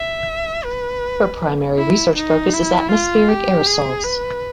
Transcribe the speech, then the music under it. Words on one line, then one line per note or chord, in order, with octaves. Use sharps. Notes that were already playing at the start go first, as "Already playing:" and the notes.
Her primary research focus is atmospheric aerosols.
Already playing: E5
B4
E4
D#4
E4
F4
G4
G#4
B4